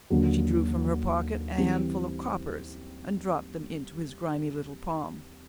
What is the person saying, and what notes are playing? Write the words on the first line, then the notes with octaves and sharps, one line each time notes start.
She drew from her pocket a handful of coppers and dropped them into his grimy little palm.
D#2 D3 F#3
E3 G3 C4